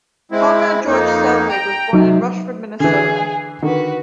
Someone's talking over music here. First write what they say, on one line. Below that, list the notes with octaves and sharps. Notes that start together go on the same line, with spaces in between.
Conrad George Selvig was born in Rushford, Minnesota.
G#3 C4 E4
F2 A#3 D#4
G5 A#5
C3 F#3 D#4
D3 E3 G#4
D3 D#3 F#4 B4